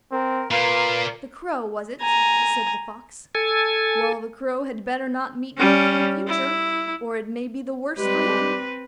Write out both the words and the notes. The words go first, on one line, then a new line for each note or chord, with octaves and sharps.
'The crow was it?' said the fox, 'well, the crow had better not meet me for the future, or it may be the worse for him.'
C4 A#4
A#2 A#4 B4 F5
G#5 A#5
A4 G#5
G3 C#4
E4
G3 G#3 C4 G4 B4